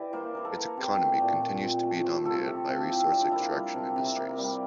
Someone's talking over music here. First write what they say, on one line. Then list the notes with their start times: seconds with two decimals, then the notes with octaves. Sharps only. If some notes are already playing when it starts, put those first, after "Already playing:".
Its economy continues to be dominated by resource extraction industries.
Already playing: E3 G4 D5
0.13 A#3 C5
0.35 E3 A#4
0.45 A4
0.56 A#3
0.77 C4 G4
0.98 A3
1.20 A#2
1.41 A#2
1.62 C4
1.83 A3
2.04 C4 C5
2.25 F3 A4
2.47 C3 G4
2.68 C3 F4
2.89 C4 E4
3.10 F3 D4
3.24 F4
3.31 A#3 E4
3.53 G3
3.75 C3
3.96 C3
4.16 A#3
4.39 G3